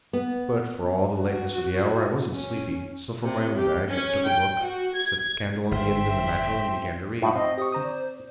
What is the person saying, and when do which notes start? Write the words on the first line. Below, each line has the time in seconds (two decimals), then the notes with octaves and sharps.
But, for all the lateness of the hour, I wasn't sleepy; so from my own bag I took a book, set the candle on the end of the mantel, and began to read.
0.13 B3
1.17 F#4
2.32 C#4
3.23 C3
3.55 G4
3.89 C#4
4.25 G5
4.60 F#4
4.93 G#6
5.71 G1 C5 E5 G5 C6
7.22 A2 D#4 F4 F#5
7.36 C4 D#5 D#6
7.57 G4 C5 C#6 D#6
7.73 D3 C5 A#5 D#6
7.84 D5